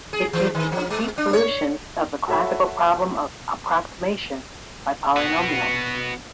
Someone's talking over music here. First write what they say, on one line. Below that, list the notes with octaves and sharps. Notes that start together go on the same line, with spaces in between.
It gives the complete solution of the classical problem of approximation by polynomials.
G#4
E3
D#3
F3
G#3
D4
C#5
F#4 A4 C#5 E5 B5
B3 F#4